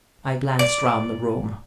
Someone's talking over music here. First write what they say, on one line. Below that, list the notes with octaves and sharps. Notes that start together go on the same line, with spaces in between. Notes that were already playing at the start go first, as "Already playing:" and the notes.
I glanced round the room.
D5